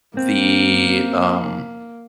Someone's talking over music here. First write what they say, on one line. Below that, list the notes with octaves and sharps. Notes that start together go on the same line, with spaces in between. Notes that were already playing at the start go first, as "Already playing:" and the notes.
The um
A#3 C4